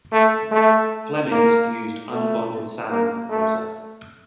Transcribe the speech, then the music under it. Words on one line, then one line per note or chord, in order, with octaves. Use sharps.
Flemmings used unbonded sand for the process.
A3
A3
A#3
A3
A#3
A3